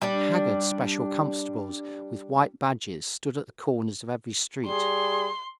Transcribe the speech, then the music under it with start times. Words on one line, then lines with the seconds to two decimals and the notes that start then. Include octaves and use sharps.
Haggard special constables with white badges stood at the corners of every street.
0.02 G3 D4
4.66 G3 G#4 C6